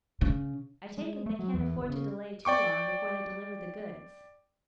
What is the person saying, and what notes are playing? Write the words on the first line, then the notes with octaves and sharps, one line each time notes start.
I take it they can't afford to delay too long before they deliver the goods.
C#3
G#3
A3
F#3
E2
G1
C#3
D5 G5 C#6 D6